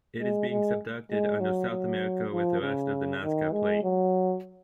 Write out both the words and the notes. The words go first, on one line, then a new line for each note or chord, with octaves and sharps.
It is being subducted under South America with the rest of the Nazca Plate.
G#3
G#3
G#3
F#3
F#3
F3
C#3
D#3
G#3
F#3